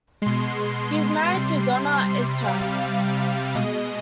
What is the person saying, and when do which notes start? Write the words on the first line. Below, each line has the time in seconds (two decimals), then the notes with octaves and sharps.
He is married to Donna Isham.
0.22 B2 G#3 C6
1.34 C3 G3
2.44 C3 G3 F5
3.55 B2 G#3 D#5